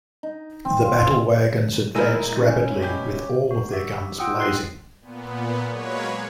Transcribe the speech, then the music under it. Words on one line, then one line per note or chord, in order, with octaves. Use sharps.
The battle wagons advanced rapidly, with all of their guns blazing.
D#4
C4
F4
A#2 G#3 D#4 E4 A#4 G#5 E6 D#7
C#4
B2 G4 G#5 G6
F#4
F#4 G4 E5
F4 F#5 G5 D#6 E6
C6 F#6 C7
A#2 B3
F#3 G#3 A#3 B4 C#5